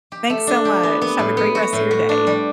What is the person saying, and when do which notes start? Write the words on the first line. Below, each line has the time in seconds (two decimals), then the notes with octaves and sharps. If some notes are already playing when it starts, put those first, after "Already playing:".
Thanks so much, have a great rest of your day.
0.12 G4
0.30 A3
0.47 D4
0.65 G4
0.83 B3
1.02 B3
1.19 A2
1.37 B3
1.55 F#4
1.73 A2
1.91 F#4
2.09 D4
2.27 G3